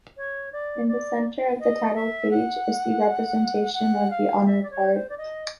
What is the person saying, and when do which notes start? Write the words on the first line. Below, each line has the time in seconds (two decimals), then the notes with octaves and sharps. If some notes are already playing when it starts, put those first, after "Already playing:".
In the center of the title page is the representation of the honor card.
0.17 C#5
0.52 D5
0.88 D5
1.60 D#5
1.95 E5
2.31 F#5
3.74 F#5
4.11 F5
4.46 E5
4.63 D5
4.71 C#5
4.94 C5
5.09 D5
5.18 D#5